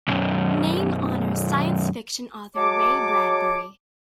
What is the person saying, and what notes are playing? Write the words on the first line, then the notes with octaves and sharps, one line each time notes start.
Name honors science fiction author Ray Bradbury.
B1 F#2
F#3 G#3 C#5 A5 D6